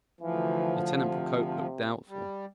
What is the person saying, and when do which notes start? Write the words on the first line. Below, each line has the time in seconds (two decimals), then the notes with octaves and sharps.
Lieutenant Procope looked doubtful.
0.21 D2 E3 F3
1.02 C3
2.07 G3